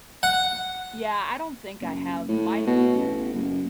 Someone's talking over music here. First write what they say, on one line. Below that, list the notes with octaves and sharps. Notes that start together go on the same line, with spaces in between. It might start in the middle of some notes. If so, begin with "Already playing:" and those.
m Yeah, I don't think I have. My
F#5
F#1
A2
B2
A1
F#1